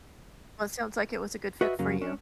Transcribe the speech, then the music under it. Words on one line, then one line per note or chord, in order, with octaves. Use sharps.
Well, it sounds like it was a good fit for you.
F#4 B4 D#5 E5
F#2 C#3 F#3 A#3
C#4 D4